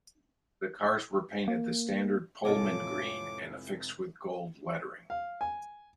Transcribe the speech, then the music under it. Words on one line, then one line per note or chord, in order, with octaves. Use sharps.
The cars were painted the standard Pullman Green and affixed with gold lettering.
A#3
F1 A2 C3 G#3 F4 A4 C#5 D6
F5
G#5